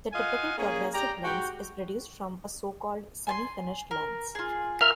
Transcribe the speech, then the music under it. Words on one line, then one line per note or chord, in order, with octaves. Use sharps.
The typical progressive lens is produced from a so-called semi-finished lens.
F4 D#5 F5 F#5 G#5
A#3 C#4 G#4
G4 D5 G5 A#5
G#2 F#4 G5
G#5 A5 C6
A#4
F4 G#4
F4 A#4 E5 F6